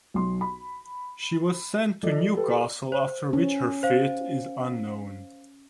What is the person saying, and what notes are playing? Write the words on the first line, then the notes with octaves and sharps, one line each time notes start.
She was sent to Newcastle after which her fate is unknown.
B1 C6
B5
F3 A4 D5 D#5
G4 A4 B4
C5
C#4
C5 F5